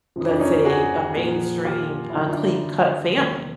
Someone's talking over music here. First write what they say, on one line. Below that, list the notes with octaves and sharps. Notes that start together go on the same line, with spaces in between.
let's say, a mainstream, a clean-cut family.
F2 C3 F3
D4
C#4 D#4
F#4 G#4
A#2 F3 A#3
F4 G4
E4
F#2 D3 F#3 D#4 F4
D4 E4
E2 C3 D#3 F#3 A#3